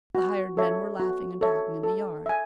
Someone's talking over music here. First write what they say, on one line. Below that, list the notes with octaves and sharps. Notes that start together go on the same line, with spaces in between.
The hired men were laughing and talking in the yard.
F#4
A4 C#5 E5
F#4
A4 C#5 E5
A4
E5 G#5